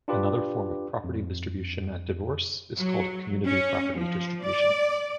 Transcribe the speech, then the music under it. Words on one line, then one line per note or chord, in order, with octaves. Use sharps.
Another form of property distribution at divorce is called "community property distribution".
D4 F4 G4 B4 D5
F2
F#3
C#4
F3
D5